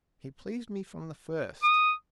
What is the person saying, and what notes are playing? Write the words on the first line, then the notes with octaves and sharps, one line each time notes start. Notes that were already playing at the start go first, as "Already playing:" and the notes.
He pleased me from the first.
D#6